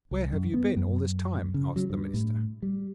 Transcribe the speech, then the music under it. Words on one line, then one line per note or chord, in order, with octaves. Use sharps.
'Where have you been all this time?' asked the minister.
C2
F#2
B3
F#2
C#3
F#3
G2
A2
G3